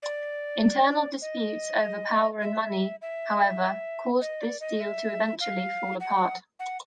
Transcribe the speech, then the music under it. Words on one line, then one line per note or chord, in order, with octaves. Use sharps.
Internal disputes over power and money, however, caused this deal to eventually fall apart.
D5
D#5
E5
E5
D#5
D5
D#5
E5
F5
F#5
F#5